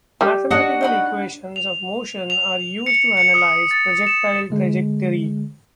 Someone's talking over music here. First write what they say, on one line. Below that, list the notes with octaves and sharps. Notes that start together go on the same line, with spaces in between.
Mathematical equations of motion are used to analyze projectile trajectory.
G3
D4 F#4 D#5
D#4 F#5 B5
F7
F7
C#7
C#7
D#6
A6
E7
D3 G#3